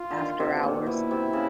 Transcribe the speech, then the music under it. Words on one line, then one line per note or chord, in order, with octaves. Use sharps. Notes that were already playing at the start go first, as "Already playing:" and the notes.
after hours.
Already playing: F4
D3
D#3
C3
B2
A#2
B2 E4
C3
C#3